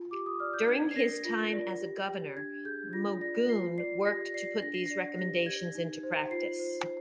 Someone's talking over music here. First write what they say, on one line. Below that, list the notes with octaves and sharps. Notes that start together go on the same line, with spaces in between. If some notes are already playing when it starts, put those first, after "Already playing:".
During his time as a governor, Magoon worked to put these recommendations into practice.
Already playing: F4
G4 D6
D#6
D5 F6
G6
D4 G#6
C7
A#4 A#6
F4 A#6
D5
G4
G4
D4 G#6
G#4 G6
F4 A#6
D5 A#6
F4 C7
D5 C7
G4 A#6
D5 C7
D4 A#6
C7
D5 A#6
G4 A#6
G4 G#6
D#4
C5
F4 C7
C5